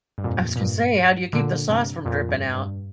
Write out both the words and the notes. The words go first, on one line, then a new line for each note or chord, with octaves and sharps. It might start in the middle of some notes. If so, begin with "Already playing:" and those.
I was gonna say, how do you keep the sauce from dripping out?
G2
F2 A#2
A#2
G2
A#2 D3
G2 C3
F2 A#2
G2
G2